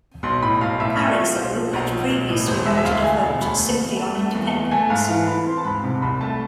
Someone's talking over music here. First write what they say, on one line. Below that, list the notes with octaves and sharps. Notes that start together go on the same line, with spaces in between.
Parizeau had previously wanted a vote simply on independence.
B1 C6
A2 B5
B1 F5
A2 E5
A3
D5
F3
B1 C5
F3
B1
F3
B1
A2
E1 C5
G#3 E5
E5
D2 F5
D2 G#5
G#5
E1 F5
D2 B5
A3
E2
A3
A3
E2
E2
A3 G#5
G#2 F5
E3 F5
E3 B5
C4 C6
A5
G#2 B5
C3
C2 B5
A3 A5